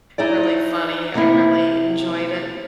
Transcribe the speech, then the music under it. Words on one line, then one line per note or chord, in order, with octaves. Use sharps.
really funny, I really enjoyed it.
D#4 E4 G#4 D5
C3 A#3 D#4 E4